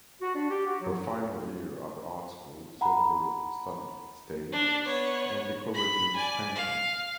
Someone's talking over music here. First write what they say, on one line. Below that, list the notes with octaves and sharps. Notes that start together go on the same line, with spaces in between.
Her final year at the art school saw her study stage and decorative painting.
F#4
D4
G4
F#4
F#3
F#5 A#5 B5
D4
B3 C#5
B5
D5 G#5
F5